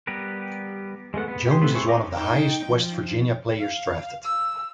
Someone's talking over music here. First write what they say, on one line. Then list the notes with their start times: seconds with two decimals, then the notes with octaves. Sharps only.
Jones is one of the highest West Virginia players drafted.
0.07 G3 B3 G4 A#4 B4
1.14 G#3 A3 B3 F#5
1.28 B3
1.47 G4 G#4 C6
1.61 G3 A3 B3 C4 B4
1.75 E4 G#4 C5 C#6
1.88 D#5 G5 A#5 D6
2.16 D#4 G5
2.67 F3
3.59 F5
4.25 E6